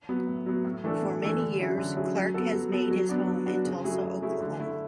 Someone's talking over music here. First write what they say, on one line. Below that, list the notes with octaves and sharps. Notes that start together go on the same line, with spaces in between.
For many years Clark has made his home in Tulsa, Oklahoma.
F#3 B3
A2
F#3 B3
A2
E3 A3 D4 A4
A2
E3 A3 D4 A4
D3
F#3 C#4 E4 G#4
D3
F#3 C#4 E4 G#4
F#3
B3 F#4 A4
F#3
B3 F#4 A4
F#3
B3 D4 F#4
F#3
B3 D4 F#4
C#3
F#3 A3 E4 G#4
C#3
F#3 A3 E4 G#4
D3
A3 E4